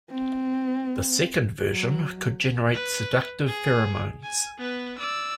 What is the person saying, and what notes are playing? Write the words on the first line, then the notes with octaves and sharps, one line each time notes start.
The second version could generate seductive pheromones.
C4
F#3
B4
G#4
G#5
B3 B4
D5 E6